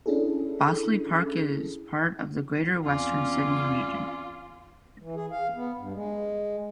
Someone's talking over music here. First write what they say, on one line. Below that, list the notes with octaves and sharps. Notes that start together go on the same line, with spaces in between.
Bossley Park is part of the Greater Western Sydney region.
C#4 D4 E4 G#4 A4
E2 C4 C#4 F4 D5
E3
G#4
F5
B3
G2
G#3